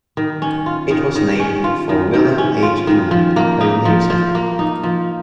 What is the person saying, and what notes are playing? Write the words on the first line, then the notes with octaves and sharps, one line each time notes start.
It was named for William H. Inman, a pioneer settler.
D#3
C#4
F4
D#3
D#3
C#4
F4
D#3
D#3
C#4
F4
D#3
F3
A#3
D#4
F3
F3
A#3
D#4
F3